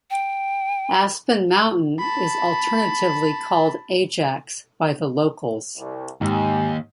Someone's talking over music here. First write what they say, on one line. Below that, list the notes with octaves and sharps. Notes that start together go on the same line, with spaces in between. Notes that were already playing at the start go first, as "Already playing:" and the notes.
Aspen Mountain is alternatively called Ajax by the locals.
G5
A5 B5
C2
D#2 G#2 G4 G#5